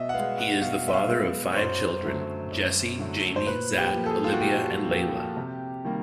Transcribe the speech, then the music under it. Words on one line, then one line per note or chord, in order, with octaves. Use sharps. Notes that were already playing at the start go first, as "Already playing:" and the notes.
He is the father of five children: Jesse, Jamie, Zak, Olivia and Layla.
Already playing: B2 D#5 E5
F#5
G#3 B3 F5
F#5
B2 F5
E5
F5
G#3 B3
C#5
F#2 C5
D3 F#3 A3
F#2
D3 F#3 A3
C5
A#2 B4
G4
F3 A#3
A4
G#4
F4
F#4
A#2 G4
F3 A#3
C3
D#3 G3 A#3